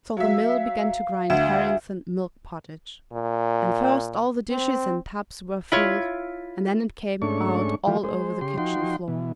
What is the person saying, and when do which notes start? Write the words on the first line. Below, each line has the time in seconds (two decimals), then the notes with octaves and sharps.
So the mill began to grind herrings and milk pottage, and first all the dishes and tubs were filled, and then it came out all over the kitchen-floor.
0.17 F#3 E5 F5
1.30 D2 E5
3.13 A#2
4.51 C4
5.72 E4 F4 C#5
7.22 G#2 A3 C#4 D4 C#6
7.87 E3 F3 A3 F4 G4
8.03 G#3 C5
8.41 C#3 G4 C6
8.58 F3 D#4 F#4 G5 C6
9.08 B2 E3